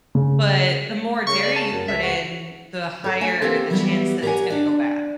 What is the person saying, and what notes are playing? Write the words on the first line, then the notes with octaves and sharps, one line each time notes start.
But the more dairy you put in, the higher the chance that it's gonna go bad.
C#3
C#3 C#6
D5
A5
F#2
C#2 E5
F#4
A4 C#5
A3 G#5 A#5
A#3 C4 G4 A4 C5
E3 F#3 G3 B3 E4 G4
G4 A#4 C#5 D5 F#5 G#5
D4 D5